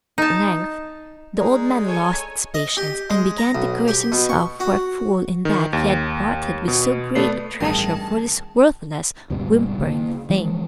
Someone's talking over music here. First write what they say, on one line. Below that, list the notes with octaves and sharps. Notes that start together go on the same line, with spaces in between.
At length the old man lost patience, and began to curse himself for a fool in that he had parted with so great a treasure for this worthless, whimpering thing.
D#4 A5
G#3 D#4 G#4 D5 A#5
A4 C#5 G#5
D#5
G4
G#3
A#5
B1
G4
B2
C#6
F#4
D#3
D#2
B2
A3 B3 D5 C7
A1 G2 D#3 G#4 A5 G7
C#2 G2 B2 G3
C#3 A#3
E3 F3 G#3